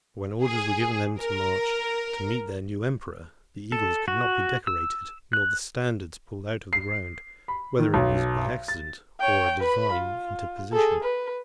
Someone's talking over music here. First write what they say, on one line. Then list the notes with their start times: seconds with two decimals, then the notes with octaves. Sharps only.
For when orders were given them to march, to meet their new emperor, the eagles could not be decorated, nor the standards pulled out of the ground, whether it was by accident, or a divine interposition.
0.44 G#4
1.21 A#4
3.72 A4
4.08 F#4
4.67 E6
5.33 F#6
6.73 C7
7.48 B5
7.79 D#3
7.94 B1
8.68 A6
9.20 C#5 G5
9.60 B4 B5
9.93 F4
10.73 G#4 A4
11.03 B4